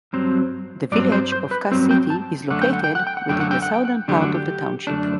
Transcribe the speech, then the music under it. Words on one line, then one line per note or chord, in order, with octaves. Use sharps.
The village of Cass City is located within the southern part of the township.
G2 F#3 C4 C5
G2 F#3 C4 D5
C5
C5
B4
G2 F#3 C4 C5
G5
A5
F#2 D3 A3 D4 F#5
G5
F#5
G5
F#5
G5
F#5
F#2 D3 A3 D4 G5
F#5
G5
F#5
G5
F#5
F#2 D3 A3 D4 G4
F#4
G4
F#2 D3 A3 D4